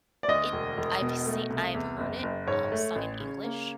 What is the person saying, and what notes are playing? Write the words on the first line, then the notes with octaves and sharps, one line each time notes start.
It I've seen I've heard it, um, sung in English.
D5
D2 D#5
E1
E1
B2
A3
C2
E2
F#1
F#1
G#2 C#5
A3
A1
C#3
A#3